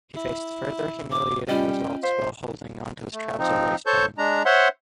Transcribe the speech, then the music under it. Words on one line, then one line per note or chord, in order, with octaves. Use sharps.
He faced further humiliating insults while holding onto his trouser waistband.
E4
D6
G3 C#4 F4 D#5 G5
C5 F5
A3
F3 C4 D#4
A4 C5 C#5 A5 C#6 G6
G#3 D4 A#5
C5 C#5 E5 F#5 C6